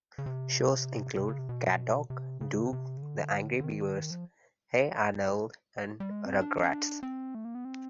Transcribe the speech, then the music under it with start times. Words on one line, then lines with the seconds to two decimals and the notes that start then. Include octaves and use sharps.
Shows include CatDog, Doug, The Angry Beavers, Hey Arnold!, and Rugrats.
0.18 C#3
0.26 C3
1.18 C3
1.29 C#3
1.39 C3
1.49 B2
2.10 C3
2.41 C#3
2.73 C3
2.97 C#3
3.03 D3
3.60 D3
3.64 D#3
3.84 D3
3.95 D#3
4.11 F3
6.00 G3
6.11 G#3
6.26 C4
6.41 D4
6.64 C#4
6.72 D4
7.03 C4
7.35 A3
7.45 A#3
7.55 B3
7.65 C4